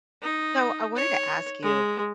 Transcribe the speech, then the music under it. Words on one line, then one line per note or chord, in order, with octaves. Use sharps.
So, I wanted to ask you,
D#4
C#5
G#3